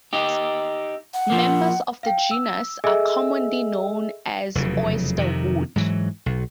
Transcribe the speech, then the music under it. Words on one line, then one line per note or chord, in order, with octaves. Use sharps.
Members of the genus are commonly known as oysterwood.
D#4 G4
F#5
F3 A#3
F5 G5
E6
G#4 A4 D#5 E5 G#5 E6
F1 E2 C#3 F#3
F2 C3 D#3
G#2 E3 F#3
B1